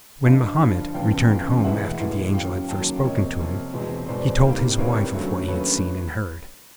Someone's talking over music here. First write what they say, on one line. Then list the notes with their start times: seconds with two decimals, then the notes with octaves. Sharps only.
When Mohammed returned home after the angel had first spoken to him, he told his wife of what he had seen and heard.
0.24 G2 D3 F3 D#5 F5
0.59 G2 D3 F3
0.94 F1 E2 C#3 F3 F5 G5
1.30 F1 E2 C#3 F3
1.64 B1 A2 E3 G#3 E5 F#5
1.99 B1 A2 E3 G#3
2.33 D#2 C#3 F#3 F5 G5
2.68 D#2 C#3 F#3 G5 A5
3.04 F2 C3 F3 A#3 C#5 D#5
3.39 F2 C3 F3 A#3
3.74 E1 E2 B2 G#3 C4
4.08 E1 E2 B2 G#3 C4 C5 D5
4.43 C2 C3 D#3 G3 A#3
4.78 C2 C3 D#3 G3 A#3 B4 C#5
5.13 D#2 D3 F#3 A3 C#4
5.48 D#2 D3 F#3 A3 C#4 B4 C#5